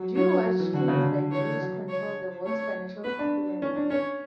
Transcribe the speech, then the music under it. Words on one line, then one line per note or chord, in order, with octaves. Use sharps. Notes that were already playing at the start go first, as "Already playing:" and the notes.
Jew Watch claims that Jews control the world's financial systems and media.
Already playing: F#3
F#3 C#5
F#3
E3
D3 F#4
C#3
D3
E3 C#5
F#3
C#5
A3 C#5
B3 B4
D4
C#4
D4
C#4 C#5